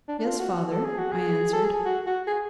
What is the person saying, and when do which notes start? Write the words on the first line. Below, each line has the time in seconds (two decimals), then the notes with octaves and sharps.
"Yes, father," I answered.
0.08 D4
0.19 D4
0.25 F4
0.40 F#4
0.71 A4
0.84 G#4
0.98 F#4
1.12 G#4
1.53 A4
1.65 G#4
1.85 F#4
2.07 F#4
2.27 G#4